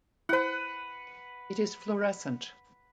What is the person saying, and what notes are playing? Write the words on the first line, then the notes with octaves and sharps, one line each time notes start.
It is fluorescent.
E4 B4 C5 F#5